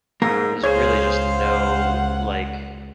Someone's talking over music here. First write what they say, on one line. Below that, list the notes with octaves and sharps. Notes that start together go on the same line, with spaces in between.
there's really just no, like
G#2 A#3 A#4
C#2 G#4 C5 C#5 F5
F#5